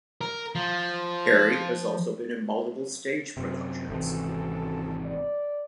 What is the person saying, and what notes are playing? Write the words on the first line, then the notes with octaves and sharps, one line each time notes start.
Perry has also been in multiple stage productions.
A#4
F3
F#2 C3
G#1 C3 E3 C#4 F#4 A4
D5